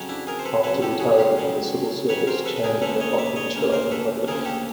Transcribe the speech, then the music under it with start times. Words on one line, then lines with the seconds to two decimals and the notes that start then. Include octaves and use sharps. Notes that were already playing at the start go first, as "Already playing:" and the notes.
After retiring from the civil service, Chan did not often show up in public.
Already playing: F2 C#3 F#3
0.09 D4 E4
0.27 G#4 A#4
0.39 C5
0.45 A4 B4
0.63 F2 C#3 F#3 A4 B4
0.82 G4 A4
1.00 F#4 G#4
1.12 F#4
1.18 F4 G4
1.37 F2 C#3 F#3
2.09 F2 C#3 F#3 B4 C#5
2.27 A#4 C5
2.45 A4 B4
2.56 B4
2.64 G#4 A#4
2.82 D2 C#3 F3 A#3 A4 B4
3.00 C#5 D#5
3.18 D5 E5
3.36 C#5 D#5
3.55 D2 C#3 F3 A#3
3.72 A#4 C5
3.91 A4 B4
4.27 D2 C#3 F3 A#3 G#4 A#4
4.45 G4 A4